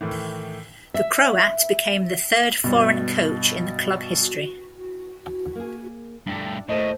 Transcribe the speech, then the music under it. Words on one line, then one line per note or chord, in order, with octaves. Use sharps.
The Croat became the third foreign coach in the club history.
A2 D#3 E3
E5
G2 B2
A#3 G#4
G2 A3 D4 E4 G5
D#2 A2 A3 C5 D#5